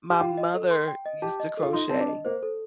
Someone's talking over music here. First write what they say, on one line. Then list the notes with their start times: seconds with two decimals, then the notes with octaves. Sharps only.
my mother used to crochet,
0.10 G4
0.20 F4 G5
0.38 D#5
0.54 A4
0.71 C6
0.88 G5
1.06 D#5
1.22 G4 A5
1.40 D#5
1.57 A4
1.62 F4
1.73 D#4 C6
1.89 C4 A5
2.00 D4
2.08 D#5
2.25 A#3 C5
2.43 A4